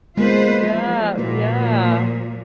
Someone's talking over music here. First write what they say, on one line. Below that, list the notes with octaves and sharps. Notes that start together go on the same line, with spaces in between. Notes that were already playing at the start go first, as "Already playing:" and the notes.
Yeah, yeah.
G#3 A#3 B3 F4 B4 C5
F3
A#2 F3 E4 F#4 B4